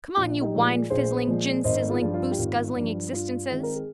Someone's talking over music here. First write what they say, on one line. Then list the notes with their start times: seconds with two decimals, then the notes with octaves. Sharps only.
Come on you winefizzling, ginsizzling, booseguzzling existences!
0.17 A#1 F4
0.41 D#4 G4
0.54 A#2 F3 G#3
0.90 A#1 G#4 C5
1.27 A#2 F3 G#3
1.64 G#1 C5 D#5
1.89 F4 G#4
2.02 G2 F3
2.14 F4
2.31 G4
2.38 G#1 F4
2.76 G2 F3
3.12 G2 F4
3.50 D#3 G#3 C4
3.63 A#4
3.75 G#4